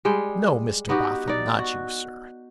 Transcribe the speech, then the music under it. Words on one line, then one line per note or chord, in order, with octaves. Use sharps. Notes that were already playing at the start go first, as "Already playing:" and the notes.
'No, Mr Boffin, not you sir.
G3 G#3 G#4 G5
B3 D#4 F#4 G4
D#4 D5
F#4